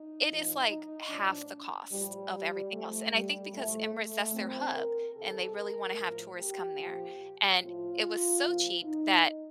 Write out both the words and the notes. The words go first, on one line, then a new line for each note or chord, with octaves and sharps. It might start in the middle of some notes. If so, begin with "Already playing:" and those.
it is, like, half the cost of everything else, and I think because Emirates that's their hub, and they really wanna have tourists come there, and it was so cheap that
Already playing: D#4
A2 F3
D#4
A2 F3 D4
A2 F3 G3
G3
C3 F3 A3
G3
A2 F3 A3
A3
A#2 F3 C4
A#4
C3 D#3 A4
A#4
A2 F3
G4
A#2 F3
A2 F3 F4
A#2 F3
D#4